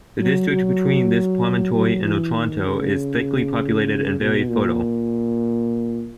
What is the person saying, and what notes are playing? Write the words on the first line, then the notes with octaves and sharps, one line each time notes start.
The district between this promontory and Otranto is thickly populated and very fertile.
F#3
F#3
F#3
E3
D#3
C#3
B2
A#2